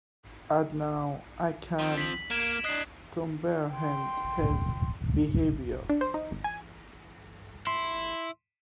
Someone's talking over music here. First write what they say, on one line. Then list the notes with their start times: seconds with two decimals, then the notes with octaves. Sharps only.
And now I can comprehend his behaviour.
1.79 F3 C4
1.98 B6 F#7
2.31 A#3 G#6 D7 E7
2.64 D4 D#5 F#6 C7 F#7
3.72 G5 C6
5.90 D4
6.01 C5
6.14 D#4
6.31 G1
6.44 G#5
7.67 E4 C6